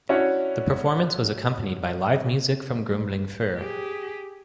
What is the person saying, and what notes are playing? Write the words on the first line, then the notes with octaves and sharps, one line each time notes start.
The performance was accompanied by live music from Grumbling Fur.
C#4 D4 E4 F#4 C#5
G4 G#4